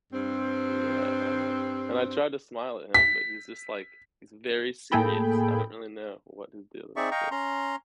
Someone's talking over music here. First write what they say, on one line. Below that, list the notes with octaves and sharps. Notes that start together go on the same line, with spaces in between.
Yeah, I know, and I tried to smile at him, but he's just, like he's very serious. I don't really know what his deal is, but
G2 C4
B6
A2 A#3 G#4 A4 G5 B5
C4 D#4 G#4 D5 E5 C#6
D#5 F5 G5 A#5 C#6
C#4 A#5 C6